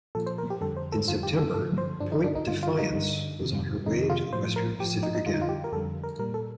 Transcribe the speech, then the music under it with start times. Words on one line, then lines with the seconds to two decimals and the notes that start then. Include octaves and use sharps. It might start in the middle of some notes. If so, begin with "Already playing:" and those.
In September "Point Defiance" was on her way to the western Pacific again.
0.15 A#2 F3 A4
0.27 C5
0.38 A#4
0.50 G4
0.61 F2 D3 G3 A4
0.77 C5
0.92 A4
1.08 F2 D3 G3 F4
1.23 G4
1.39 A4
1.54 G2 D3 F3 A4
1.78 C5
2.00 G2 D3 F3 D4
2.12 D#4
2.24 D4
2.35 D#4
2.47 G2 D3 G3 F4
2.63 F4
2.78 D#4
2.93 G2 D3 G3
3.40 F2 C3 D#3
3.86 F2 C3 D#3 D#4
4.10 F4
4.33 A2 F3 C5
4.56 A#4
4.79 A2 F3 G4
5.03 D#4
5.15 D#4
5.26 F2 D3 G3 F4
5.34 D#4
5.42 F4
5.49 G4
5.64 A#4
5.72 F2 D3 G3 A4
6.04 A#4
6.19 A#2 G3 A#4
6.34 A4